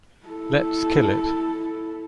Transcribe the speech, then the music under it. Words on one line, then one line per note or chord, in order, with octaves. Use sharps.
Let's kill it.
E4 A4